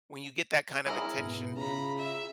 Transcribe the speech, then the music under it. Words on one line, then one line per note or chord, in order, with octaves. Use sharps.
when you get that kind of attention,
E4 G#4 A#4
G#2 B2 B3
C#3 F4 A#5 B5
E5